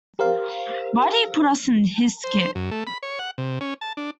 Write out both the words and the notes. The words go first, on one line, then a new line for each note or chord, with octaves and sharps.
Why'd he put us in his skit?
G4 A#4 C5 F5
C5
C5
F#2
A3
B5
C#5
F#5
C3
C#4
A5
D4